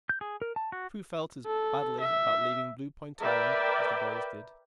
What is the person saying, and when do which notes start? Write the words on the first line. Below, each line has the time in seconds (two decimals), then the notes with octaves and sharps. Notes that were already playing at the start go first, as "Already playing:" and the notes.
Prue felt as badly about leaving Blue Point Island as the boys did.
0.09 G6
0.21 G#4
0.42 A#4
0.56 A5
0.72 F#4
1.46 A4
2.01 E5
3.21 A#4 B4 D5 E5 G5